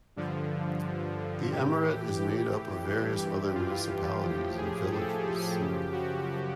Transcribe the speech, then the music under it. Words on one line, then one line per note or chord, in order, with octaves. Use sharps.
The emirate is made up of various other municipalities and villages.
G2 D3 F3
A2 E3 G4
G4
G4
G2 E3
F4
A2 F3 G4
G#4
A4
G#4
F#2 C#3 F3 G4
F#4